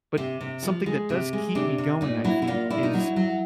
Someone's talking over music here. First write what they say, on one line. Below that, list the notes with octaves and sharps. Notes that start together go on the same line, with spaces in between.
but something that does keep me going, I think, is
C3
C3
F3
G#3
C3
G#3
C3 D4
C3
A#2 D#4
F#3 E4
E4
A#2 F4
A#2 E4
D#4
F#3 E4
F#3